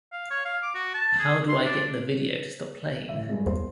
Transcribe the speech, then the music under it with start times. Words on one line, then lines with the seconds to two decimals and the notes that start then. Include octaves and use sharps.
How do I get the video to stop playing?
0.12 F5
0.30 C#5
0.45 F5
0.63 D6
0.75 F#4
0.94 A5
1.19 G#4
1.49 C6
1.65 D4
3.09 A1 E5
3.29 G2 G#3
3.46 E2 C5